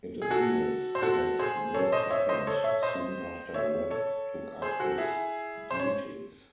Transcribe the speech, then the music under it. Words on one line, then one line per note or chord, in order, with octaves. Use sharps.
It appears that this happened soon after Webb took up his duties.
G#4
F#4 A4
C5
F#4 A4
G#4 C5
A4 C#5
C5 D#5
C#5 E5
C5 D#5
A4 C#5
C#5 E5
C5 D#5
C#5 E5
A4 C#5
G#4 C5
F#4 A4
E4 G#4
C5
C#5